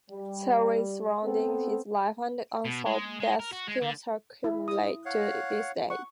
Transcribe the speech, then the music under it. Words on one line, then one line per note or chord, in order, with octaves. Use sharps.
Theories surrounding his life and unsolved death still circulate to this day.
G3
B3 C4 A4
B2
G#3
G#3
A#4
F#4
G#3
D3
E4
D#6
C#5 F5 F#5
F#5 C#6